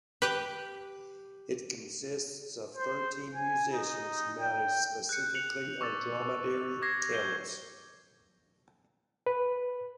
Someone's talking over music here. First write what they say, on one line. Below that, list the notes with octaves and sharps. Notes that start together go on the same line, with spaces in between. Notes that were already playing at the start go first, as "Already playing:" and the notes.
It consists of thirteen musicians mounted specifically on Dromedary camels.
G4 B4 D6 F#6
C5
G#5
D#4
G5
F#6 G6 C#7
C#7 F7 F#7
C#6 D6 E6 F#6 A6
D6 G#6 A#6 C7
G6 G7
B4